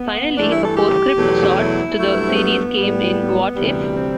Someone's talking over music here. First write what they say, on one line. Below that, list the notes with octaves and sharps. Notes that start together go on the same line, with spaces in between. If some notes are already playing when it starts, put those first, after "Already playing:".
Finally, a postscript of sorts to the series came in What If...
Already playing: B3
G2 E3 A3 D4
E4
A4
G4
E2 B2 F#3 A3
E4
G2 F#3 A3
C4
B3
A2 G3
D2 C3 E3 G3
C4